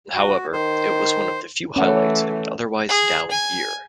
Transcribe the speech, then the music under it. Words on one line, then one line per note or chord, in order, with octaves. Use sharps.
However, it was one of few highlights in an otherwise down year.
F#4
D#3 C5
E3 A3 C#4 F#5
G#4
G#5